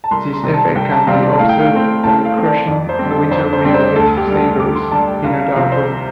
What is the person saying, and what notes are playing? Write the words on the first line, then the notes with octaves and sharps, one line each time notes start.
This effect can be observed by crushing wintergreen Life Savers in a dark room.
A5
C2 C6
C6
C3 G3 C4
A5
C2 G5
A5
C3 G3 C4 F5
D5
A2 F5
G5
F5
A3
C4
A2 A5
F5
A3 C4
D5
F2 D5
C5
D3 G3 C4
A4
F2 C5
C5
D3 G3 C4
C5
D2 A4
G4
D3 G3
D2 D6
C6
D3 G3 A5
G5
C2 F5
F5
C3 F3 C4 F5
C5